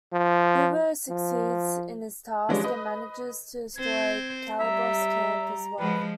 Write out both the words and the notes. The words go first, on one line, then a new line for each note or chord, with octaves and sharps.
Bubo succeeds in his task and manages to destroy Calibos' camp as well.
F3
F3
E3 F3 G3 G#3 C#4 D4
B4 D#5
C4 C5 G#6
G3 E5 A#5
F3 G#3 B4